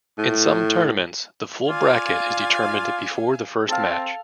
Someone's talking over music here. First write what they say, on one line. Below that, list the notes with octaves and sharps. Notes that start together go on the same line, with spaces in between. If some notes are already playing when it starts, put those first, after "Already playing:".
In some tournaments, the full bracket is determined before the first match.
A2
F4 D5 F5 G#5
C4 A4 F5 A5